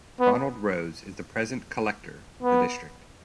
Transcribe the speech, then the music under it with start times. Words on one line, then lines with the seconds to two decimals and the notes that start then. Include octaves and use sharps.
Ronald Rose is the present collector of the District.
0.20 B3
2.43 B3